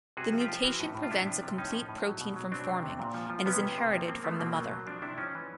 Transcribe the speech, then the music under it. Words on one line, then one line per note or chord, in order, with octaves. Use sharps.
The mutation prevents a complete protein from forming and is inherited from the mother.
C3 F#4 G#4
F3
F4 G4
F3
E3 E4 F#4
A2
A2
F4
C3 D4 E4
F3
C3
A2 C#4 D#4
F3
A2
F#3
B2
F#3
F#3 C4 D4
C3
C3
A#2
F3
F3
C3 B3 C#4
C3
C3
F3 A#3 C4
F3 A#3 C4
F3 A3 B3
B2 A#3 C4
F#3
F#3
F3 C4 D4
C3 D4 E4
F3 C#4 D#4
E3